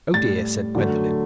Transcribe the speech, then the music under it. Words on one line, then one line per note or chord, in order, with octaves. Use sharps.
"Oh dear!" said Gwendolen.
A2 G3 A6
D3 F#3 A3